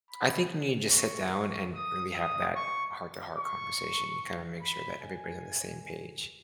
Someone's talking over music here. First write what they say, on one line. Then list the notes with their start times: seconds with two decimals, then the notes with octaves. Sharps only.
I think you need to sit down and really have that heart-to-heart conversation and kinda make sure that everybody on the same page.
0.10 B5
0.92 C#6
1.34 C#6
1.74 D#6
2.15 D#6
2.56 C#6
3.38 C#6
4.61 B5
5.03 G#5